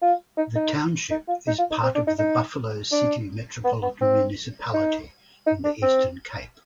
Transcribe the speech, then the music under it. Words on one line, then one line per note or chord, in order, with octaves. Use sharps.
The township is part of the Buffalo City Metropolitan Municipality in the Eastern Cape.
F4
D#4
D#4
D#4
F4
D#4
F4
D#4
C4
D4
D#4
D#4
D4
B3
B3
C4
D#4
D#4
D4
C4